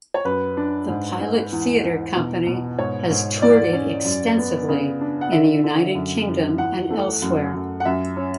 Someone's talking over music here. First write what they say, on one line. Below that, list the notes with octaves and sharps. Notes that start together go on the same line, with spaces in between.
The Pilot Theatre Company has toured it extensively in the United Kingdom and elsewhere.
C#5
F#2 B4
D4
G#2
G#2
E2
E2
B2
B2
G#2 C#5
G#2
E2 D5
C#4
F#2
B3
C#3
D4
F#5
D3 E5
D3
F#2
F#2
E2 F#5
A3
F#2
F#2
F#5
F#2 E5
C#4